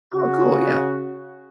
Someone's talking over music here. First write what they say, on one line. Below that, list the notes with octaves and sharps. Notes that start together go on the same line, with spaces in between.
Oh, cool, yeah.
C#3 F#4